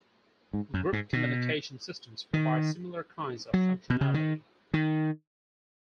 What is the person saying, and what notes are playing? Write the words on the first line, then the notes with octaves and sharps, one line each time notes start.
Group communication systems provide similar kinds of functionality.
G#2
F#2
G#2
B2
D#3
F#3
B2
C#3
D#3
D#3